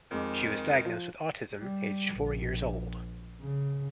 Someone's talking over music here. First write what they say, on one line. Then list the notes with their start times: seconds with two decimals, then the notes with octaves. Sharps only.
She was diagnosed with autism aged four years old.
0.11 F2 D#3 G#3 D6
0.86 F3
1.59 G3
2.14 A#1
3.41 C#3